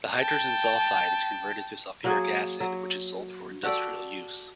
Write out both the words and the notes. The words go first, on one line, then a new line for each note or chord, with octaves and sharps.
The hydrogen sulphide is converted to sulphuric acid which is sold for industrial use.
G5 A5
F#3 A#3 F#4 G#4
F#3
F#4 G4 A4 D5